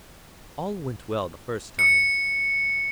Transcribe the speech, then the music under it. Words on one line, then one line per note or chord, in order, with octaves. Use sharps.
All went well the first time.
C#7